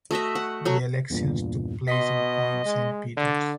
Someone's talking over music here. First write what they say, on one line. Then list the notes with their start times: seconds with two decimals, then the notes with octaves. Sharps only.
The elections took place in Point Saint Peters.
0.11 A3 F#4 D#5 E5
0.35 F#5
0.65 F#3 A3
1.10 E2 G2 A#2
1.88 B2 D#5 C6 B6
2.66 G#3
3.17 D3 D5